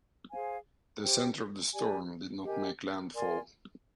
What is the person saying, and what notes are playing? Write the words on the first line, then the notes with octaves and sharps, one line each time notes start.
The center of the storm did not make landfall.
G#4 C5 F5 G#5
G4 C5 G5
G4 D5 G#5
G4 A#4 D#5 G#5
A#4 D5 G#5 C6